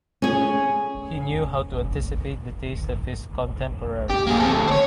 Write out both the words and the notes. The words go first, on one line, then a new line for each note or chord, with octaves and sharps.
He knew how to anticipate the taste of his contemporaries.
C#4 G#4
G4
A#3 G#4
C4 A4
D2 A3
C5 C#5